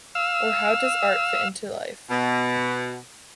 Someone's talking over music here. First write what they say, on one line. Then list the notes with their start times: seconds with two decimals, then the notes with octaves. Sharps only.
Or how does art fit into life?
0.15 F5 E6
2.10 B2